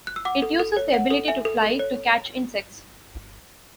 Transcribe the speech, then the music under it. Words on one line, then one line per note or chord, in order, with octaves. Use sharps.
It uses the ability to "fly" to catch insects.
F#6
E6
F#5 D6
A4
A4
C#5
F#5
A4
E5 G#5
A4
A4
C#5